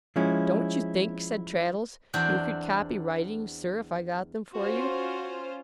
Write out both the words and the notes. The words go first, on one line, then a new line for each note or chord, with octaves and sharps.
'Don't you think,' said Traddles, 'you could copy writings, sir, if I got them for you?'
F3 G#3 C#4 E4
E2 C4 D4 F#4 G5
C#4 F4 F#4 C5